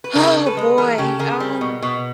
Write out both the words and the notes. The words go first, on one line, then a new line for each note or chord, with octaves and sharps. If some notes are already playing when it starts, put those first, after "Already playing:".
Oh, boy, um,
B4
C#3 G#4 A#4
C#3
A4 B4
G#3
E3 G#4 A#4
C#3 G4 A4
C#3 G#4 A#4
G3
B2
B2